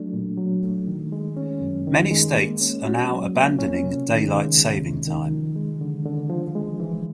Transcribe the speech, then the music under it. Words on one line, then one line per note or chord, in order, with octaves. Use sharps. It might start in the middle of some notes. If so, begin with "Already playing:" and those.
Many states are now abandoning Daylight Saving Time.
Already playing: F#3 A3 D4
A#2
F#3
A3
D#3
G#3
C#4
F#2
D#3
G#3
A#3
C#4
F#4
F#3
A#3
C#4
C3
D#3
G#3
C#2
C3
D#3
F3
G#3
D3
D3
F3
G#3
E3